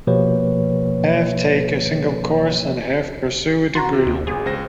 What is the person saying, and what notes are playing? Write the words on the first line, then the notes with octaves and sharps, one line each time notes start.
Half take a single course, and half pursue a degree.
B2 F3 A#3 G4 B4 C#5
F#4 A#5 C6
C3
D#2
G1 G#4
C#2 C5 A#6